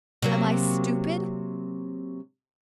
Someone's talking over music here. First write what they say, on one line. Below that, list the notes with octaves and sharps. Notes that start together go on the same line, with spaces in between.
Am I stupid?
C3 F#3 A#3